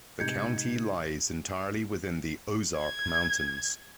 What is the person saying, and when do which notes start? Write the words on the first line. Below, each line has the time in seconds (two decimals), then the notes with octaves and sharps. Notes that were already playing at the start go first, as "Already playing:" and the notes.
The county lies entirely within the Ozark Mountains.
0.20 A2 C3 G#3 D#4 G4 G6 G#6 C#7
2.77 G#6